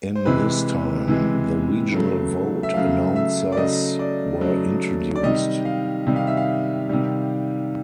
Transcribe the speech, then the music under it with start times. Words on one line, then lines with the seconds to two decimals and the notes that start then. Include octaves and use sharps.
In this time, the regional vote announcers were introduced.
0.15 C5
0.25 C3 E3 G#3 B4
1.08 C3 E3 G#3
1.92 C#3 F#3 A3
2.63 E5
2.74 C#3 F#3 A3 F5
3.16 E5
3.52 D5
3.57 C#3 F#3 A3 D#5
3.99 D5
4.41 C#3 F#3 A3
5.16 D5
5.23 C3 D#3 G3 D#5
5.65 F5
6.07 C3 D#3 G3
6.16 F5
6.27 E5
6.37 F5
6.89 C3 D#3 G3